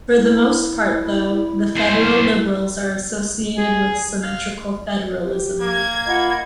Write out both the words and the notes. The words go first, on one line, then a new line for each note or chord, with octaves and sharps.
For the most part though, the federal Liberals are associated with symmetrical federalism.
E4
B1 C5
G#4
F5
G4
A#3 G#6
F4 D#5 F#5 B5